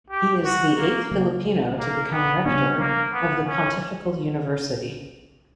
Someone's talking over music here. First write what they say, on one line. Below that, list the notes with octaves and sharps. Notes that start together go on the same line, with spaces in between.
He is the eighth Filipino to become rector of the pontifical university.
G4
F#4
A#3
C#3 F#3 A#3
A#3
B3
C#3 G3 B3 C#4 D4
A#3
B3
C#4